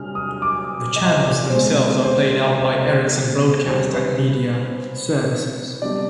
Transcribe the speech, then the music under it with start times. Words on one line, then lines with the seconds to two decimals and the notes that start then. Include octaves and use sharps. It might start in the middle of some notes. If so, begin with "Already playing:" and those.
The channels themselves are played out by Ericsson Broadcast and Media Services.
Already playing: C3 G3 D4 F6
0.15 D#6
0.42 D6
0.96 D#5
1.23 D5
1.50 B2 G#3 C4 C5
2.04 C5
2.59 C5
2.85 C5
3.66 C3 D#3 G3 C5
3.93 B4
5.82 C3 G3 B3 D4 D5